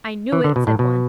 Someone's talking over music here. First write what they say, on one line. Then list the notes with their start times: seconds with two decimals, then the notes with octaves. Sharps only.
'I knew it,' said one.
0.32 E3
0.44 D3
0.56 B2
0.67 A2
0.79 B2